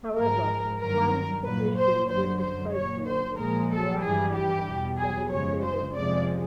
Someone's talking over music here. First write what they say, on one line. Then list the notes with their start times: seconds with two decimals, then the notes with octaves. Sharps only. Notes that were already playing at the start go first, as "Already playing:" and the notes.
However, plans to issue British postal orders throughout Canada never materialised.
0.16 G#2 F3 G#3 A#4
0.80 G2 D#3 F#3 A#4
1.44 A#2 F#3 B4
1.77 C5
2.08 F#2 D3 F#3 C5
2.40 C5
2.73 A#2 F#3 C#5
3.05 C5
3.37 A#2 F3 G#3 A#4
3.70 A4
4.01 G2 E3 G3 G#4
4.34 G4
4.66 E2 B2 G3
4.98 G#4
5.30 F#2 C#3 F3 G#3 C#5
5.62 C5
5.95 F2 C3 F3 G#3 D5